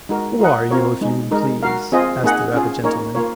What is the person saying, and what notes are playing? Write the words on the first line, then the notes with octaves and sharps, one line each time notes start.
"Who are you, if you please?" asked the rabbit gentleman.
G#3 D#4 F#4 A#4
F4 A#4 D#5 F#5
C4 F4 A#4 C#5
G#3 D#4 G#4
G#3 D#4 A#4
F#4 A#4 F5
C4 F4 G#4 D#5
A#3 D#4 G#4 D#5 F#5
C#4 F4 G#4
A#3 D#4 A#4 C#5
A#3 F4 A#4 C#5